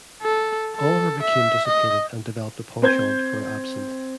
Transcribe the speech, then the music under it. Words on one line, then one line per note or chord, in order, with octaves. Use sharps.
Oliver became dissipated and developed a penchant for absinthe.
A4
A4
E5
D#5
C4 C5 G6 G#6